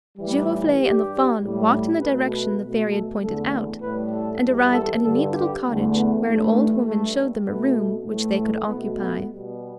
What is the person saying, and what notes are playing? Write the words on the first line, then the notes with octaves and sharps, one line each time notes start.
Giroflee and the Fawn walked in the direction the Fairy had pointed out, and arrived at a neat little cottage where an old woman showed them a room which they could occupy.
A2 E3 G3
E4
G2 G3 G4
A2 G3
B2 A3 B4
B4
B2 A3
A4
E2 D3 A3 A4
A2 G3 B4
A4
E2 E3 G3
A4
G2 D3 G3 A4
G4
E2 D3 A3
B3
G2 E3 A3
D4
G2 G3 A3
B2 A3 B3
A2 E3 A3
B2 A3 B3
B3
B2 G3